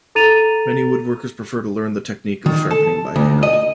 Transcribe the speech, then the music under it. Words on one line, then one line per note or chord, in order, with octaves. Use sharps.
Many woodworkers prefer to learn the technique of sharpening by hand.
A4 A#5 A6 D#7 F7
D#3
A4
D2
D#5